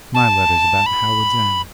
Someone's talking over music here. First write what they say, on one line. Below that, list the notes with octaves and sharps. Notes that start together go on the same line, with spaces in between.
My letter's about Howards End.
A5
B5